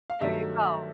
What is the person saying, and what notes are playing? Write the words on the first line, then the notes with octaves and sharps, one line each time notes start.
There you go.
F5
G2 D#3 F#3 A3 E5